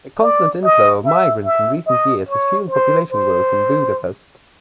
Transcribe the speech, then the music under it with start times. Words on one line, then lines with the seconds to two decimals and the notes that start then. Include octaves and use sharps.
A constant inflow of migrants in recent years has fuelled population growth in Budapest.
0.22 D5
0.64 D#5
1.05 E5
1.45 E5
1.87 D#5
2.29 C#5
2.70 C5
3.11 C5